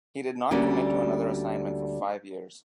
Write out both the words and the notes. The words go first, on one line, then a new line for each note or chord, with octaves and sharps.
He did not commit to another assignment for five years.
D2 D3 G3 A#3 C#4 F#4